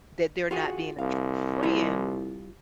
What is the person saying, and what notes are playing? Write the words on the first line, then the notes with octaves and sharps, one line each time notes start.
that they're not being a true friend,
F4 F#4 G#4
C2 F5
G3 E4 F4